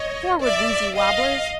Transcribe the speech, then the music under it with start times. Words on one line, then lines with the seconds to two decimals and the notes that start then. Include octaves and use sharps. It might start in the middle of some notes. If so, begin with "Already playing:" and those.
Forward, woozy wobblers!
Already playing: C#5 D#5
0.43 D5 E5
0.98 D#5 F5